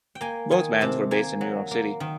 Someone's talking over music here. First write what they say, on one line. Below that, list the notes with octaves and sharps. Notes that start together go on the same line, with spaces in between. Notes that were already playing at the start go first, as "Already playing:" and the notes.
Both bands were based in New York City.
G5
A#3 G#5
D#3 G#5
C3 A5
A#3 G#5
F#3
A#3
D#3